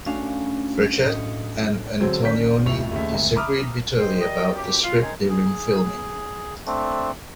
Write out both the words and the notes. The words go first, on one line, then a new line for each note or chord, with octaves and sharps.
Frechette and Antonioni disagreed bitterly about the script during filming.
A3 C#4 D4 F#4 F5
A2 D#5 C#7
D3 F#3 G#3 C4 C5
D#3 C#4 D4 G6 B6
D#1 A2 C#6 F7
D#2 C#3 A3
G#1 D2
E5 A#5 B5 D6 D#6 F6
G#3 C4 D#4 C5
G3 G4 A#4 D5 D#5
C#2 F#2 G4
F4
C4 C#4 D#4 A#4 C5 C#5
G#4
A3 C4 D4